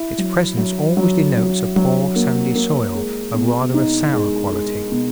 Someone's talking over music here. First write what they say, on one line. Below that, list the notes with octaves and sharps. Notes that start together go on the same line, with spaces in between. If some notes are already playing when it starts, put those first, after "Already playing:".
Its presence always denotes a poor, sandy soil of rather a sour quality.
Already playing: E4
F#3
F#3
F#3
F#3
F#3
A#3
A#3
G#3
B2
D#4
G#3
G#3
B2